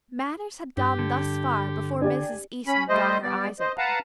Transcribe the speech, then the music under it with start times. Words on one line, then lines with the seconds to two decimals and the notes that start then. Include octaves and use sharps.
Matters had gone thus far before Mrs. Eastman got her eyes opened.
0.77 G2 G4
0.99 D3
2.01 D4 G4 D5 G#5
2.67 C#4 B5
2.89 G3 A3 C5 D#5
3.23 G3 B3 D5
3.59 C5 D#5
3.78 B4 F5 F#5 A5 A#5